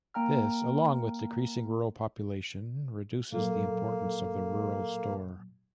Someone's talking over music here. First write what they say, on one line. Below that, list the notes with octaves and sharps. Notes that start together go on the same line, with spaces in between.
This, along with decreasing rural population, reduces the importance of the rural store.
A#3 G5 A#5 F6
A#2 F#3 A#3 A4